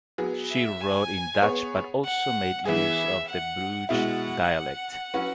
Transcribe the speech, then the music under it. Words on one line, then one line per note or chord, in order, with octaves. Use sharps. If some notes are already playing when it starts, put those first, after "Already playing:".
She wrote in Dutch but also made use of the Bruges dialect.
F#3 B3 G#4
E5
G#5
B3 G#4 C#5
F#5
E3 B3 G#4 E5
F#5
B2 G#3 E4 F#5
F#3 C#4 F#4 B4